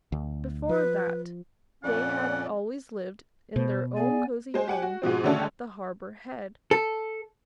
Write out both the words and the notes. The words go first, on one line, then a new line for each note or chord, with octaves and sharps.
Before that they had always lived in their own cosy home at the Harbour Head.
D2
F3 B4
F2 A#2 C#4 D5 F#5
B2 C5
B3 G#4 D5 G#5
G#3 C5 G#5
G4 F#5 G#5
F#4
G#2 B2 F3 C4
D3 D#3 A3 C#4 D4 A4
A4